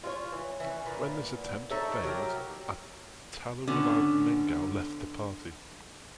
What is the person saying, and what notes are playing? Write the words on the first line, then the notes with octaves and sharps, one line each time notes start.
When this attempt failed Ataullah Mengal left the party.
F4 G4 C#5
E3
E3 C#4
A#2 B3
D#4 A4 C#5 E5
F#3 G4 A#4
D3 B3 C#4